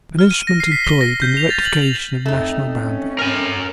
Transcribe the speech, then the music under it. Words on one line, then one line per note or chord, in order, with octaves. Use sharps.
An instrument employed in the rectification of national boundaries.
F6
D#7
A#6
C7
B6
G7
A#6
G6
F7
A6
F#7
F7
F2 A3 D#4
C#4
A#4 G#5